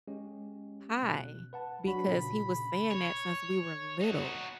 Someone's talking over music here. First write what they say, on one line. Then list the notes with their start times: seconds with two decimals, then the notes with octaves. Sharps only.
high because he was saying that since we were little,
0.08 G#3 C#4 G4
1.02 B2 F#6
1.53 B4 F#5 A5
1.87 F#3 D4 F#4 B5
2.07 A#2 C#3
2.91 C#5
4.01 D#4 F#4